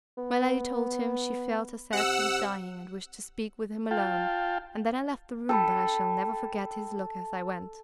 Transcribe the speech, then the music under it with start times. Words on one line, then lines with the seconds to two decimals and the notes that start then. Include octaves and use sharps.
My lady told him she felt herself to be dying, and wished to speak with him alone, and then I left the room, but I shall never forget his look as I went.'
0.17 B3
1.93 C3 F#5 E6
3.91 F4 F5 G5 A5
5.49 A4 G5 A5 B5